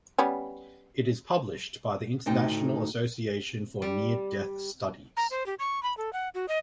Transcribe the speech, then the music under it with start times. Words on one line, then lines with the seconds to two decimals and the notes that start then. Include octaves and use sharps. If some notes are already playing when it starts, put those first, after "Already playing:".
It is published by the International Association for Near-Death Studies.
0.18 G3 B3 C#4
2.26 D2 A2 D#4 G5
3.82 G3
5.17 A#5
5.31 C5
5.46 G4
5.59 C#6
5.83 B5
5.97 A4
6.13 F#5
6.34 F#4
6.48 D#5